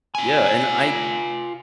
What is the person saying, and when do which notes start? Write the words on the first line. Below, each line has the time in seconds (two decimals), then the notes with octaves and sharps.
Yeah, and I
0.15 F4 G#5